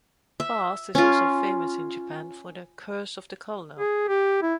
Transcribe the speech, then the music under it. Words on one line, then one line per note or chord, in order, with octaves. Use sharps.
Bass is also famous in Japan for the "Curse of the Colonel".
E5
C#4 F4
G#4
G4
E4